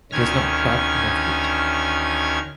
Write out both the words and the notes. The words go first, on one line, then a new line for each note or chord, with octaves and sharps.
It is not dark enough yet.
D2 D#3 C#4 F6 G#6